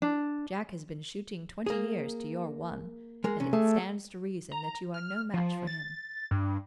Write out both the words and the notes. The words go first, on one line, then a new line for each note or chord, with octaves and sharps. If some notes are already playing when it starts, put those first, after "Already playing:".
Jack has been shooting twenty years to your one, and it stands to reason that you are no match for him.
D4
A#3 G#4
G#3 A#4
C3 C#4
A3 G#4 A5
A#5
F6
F3
A6
G2